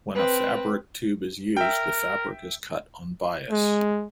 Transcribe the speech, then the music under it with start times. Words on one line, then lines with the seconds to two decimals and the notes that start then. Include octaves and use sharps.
When a fabric tube is used, the fabric is cut on bias.
0.15 C4 B4
1.57 A#4 E5 G5
3.50 G#3